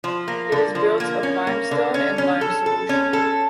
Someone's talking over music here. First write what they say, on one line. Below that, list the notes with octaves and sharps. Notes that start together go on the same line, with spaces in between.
It is built of limestone and lime solution.
F3
A#3
D3
F3
A#3
C#4
A#3
D3
C#4
C#4
A4
A4
C#4
A4